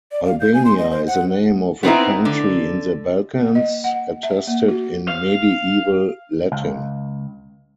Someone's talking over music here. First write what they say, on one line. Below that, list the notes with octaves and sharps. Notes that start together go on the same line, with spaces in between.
Albania is the name of a country in the Balkans, attested in Medieval Latin.
D5
F5
G6
G#5
C6
D#5
C5
F#5
B3 C4 D#4 E4
D3
A#3
D#5
F#5
E5
A#3
F#4
F5
C#2